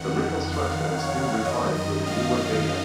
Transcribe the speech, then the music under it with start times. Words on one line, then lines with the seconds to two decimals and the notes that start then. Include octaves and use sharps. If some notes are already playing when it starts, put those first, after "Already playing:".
The reconstruction is being refined with newer data.
Already playing: F2 D#3 F#5
0.52 F5
0.98 C#5
1.45 F#2 D#3 D#5
1.76 D#5
2.06 F5
2.37 D#5